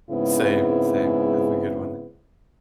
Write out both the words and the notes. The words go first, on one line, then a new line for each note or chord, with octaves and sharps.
Same, same. Have a good one.
G#2 C#3 G#3 B3 C4 E4